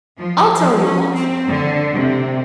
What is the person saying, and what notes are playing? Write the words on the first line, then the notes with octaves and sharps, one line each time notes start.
I'll tell you what!
F3
F3
C#4
C4
D3
C3